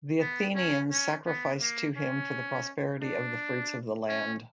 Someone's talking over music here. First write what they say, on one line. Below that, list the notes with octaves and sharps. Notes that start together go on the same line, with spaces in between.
The Athenians sacrificed to him for the prosperity of the fruits of the land.
B3
C#4
C#4
B3
A#3
C#4
D4
C#4